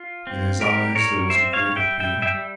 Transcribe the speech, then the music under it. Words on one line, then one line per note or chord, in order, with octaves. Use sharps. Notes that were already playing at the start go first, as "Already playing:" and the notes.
In his eyes there was a great appeal.
Already playing: F4
C4
G3 G4 A#4
G3 A#4 C#5
C4 C5 E5
C#5 F5
G3
E5 G5
G3 E5 G5
E5 G5
G3